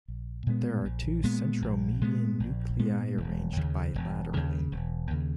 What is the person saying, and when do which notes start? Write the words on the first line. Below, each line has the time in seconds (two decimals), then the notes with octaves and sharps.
There are two centromedian nuclei arranged bilaterally.
0.08 A#1
0.46 A#2 G#3 B3
0.85 A#1
1.23 A#2 G#3 B3
1.62 A#1
2.01 A#2 G#3 B3
2.40 A#1
2.79 A#2 G#3 B3
3.17 E1
3.56 D#2 C#3
3.95 E1
4.34 D#2 C#3
4.72 E1
5.10 D#2 C#3